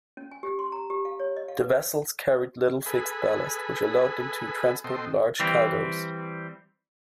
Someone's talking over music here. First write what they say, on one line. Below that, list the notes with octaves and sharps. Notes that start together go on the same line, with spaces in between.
The vessels carried little fixed ballast, which allowed them to transport large cargoes.
C#4
G#5
G4
C6
A#5
G4
F5
C#5
D#5
F5
B4
G#4 A4 B4 G#5 B5
B2 C4 A4 D#5 G5 C6
E3 G3 C4